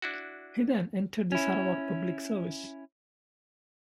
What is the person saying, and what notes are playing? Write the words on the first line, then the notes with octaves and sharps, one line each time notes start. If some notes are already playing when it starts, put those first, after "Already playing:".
He then entered the Sarawak public service.
D4 E4 F#4
C#4 E4